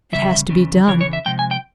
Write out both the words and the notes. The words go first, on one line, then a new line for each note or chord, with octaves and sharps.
It has to be done.
E2 C#3 G3 E5
E2 C#3 E3
E2 C#3 E3 C#5
C#5
E5
C3 F3 G#3 G5
G#5
G5